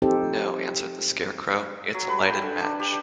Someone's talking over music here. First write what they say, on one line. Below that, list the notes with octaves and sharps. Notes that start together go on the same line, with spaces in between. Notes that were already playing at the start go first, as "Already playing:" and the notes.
"No," answered the Scarecrow; "it's a lighted match."
F3 C4 D#4 G4 A4 C5
F#3
B4
G5
D3
D4
G4